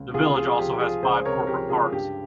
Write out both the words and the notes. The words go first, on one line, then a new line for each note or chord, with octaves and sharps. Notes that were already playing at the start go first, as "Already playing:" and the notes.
The village also has five corporate parks.
Already playing: C#2
C2 F4 G#4
F3 F4 G#4
F3 G4
F3 F4 G#4
C#2 G#4 C5
C3 A#4 C#5
F3 G4 A#4
C#2 F4 G#4
G2 G4